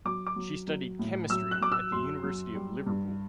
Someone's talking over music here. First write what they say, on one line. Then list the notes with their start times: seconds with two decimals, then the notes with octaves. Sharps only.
She studied Chemistry at the University of Liverpool.
0.05 F#3 D6
0.27 D6
0.36 F#3
0.67 F#3
0.99 A2
1.30 F#3 E6
1.51 F#6
1.61 F#3 D6
1.72 E6
1.92 F#2 C6
2.23 F#3
2.55 G3
2.86 G2